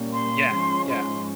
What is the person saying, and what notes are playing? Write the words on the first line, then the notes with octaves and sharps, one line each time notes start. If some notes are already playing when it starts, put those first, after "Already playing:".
yeah, yeah.
Already playing: A#2 G3 A#3 C#4
C6
G#2 F3 G#3 C#4
C6